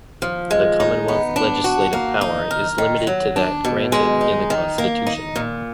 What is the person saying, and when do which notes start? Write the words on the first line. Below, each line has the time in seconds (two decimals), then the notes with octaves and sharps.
The Commonwealth legislative power is limited to that granted in the Constitution.
0.22 F3
0.51 G#3
0.80 D#4
1.08 B3
1.36 D4
1.64 F#4
1.93 A#3
2.21 D#4
2.51 A#4
2.78 D#3
3.07 F#3
3.36 D4
3.65 B2
3.92 G#3
4.21 D#4
4.50 D#3
4.78 A#3
5.07 D#4
5.36 A#2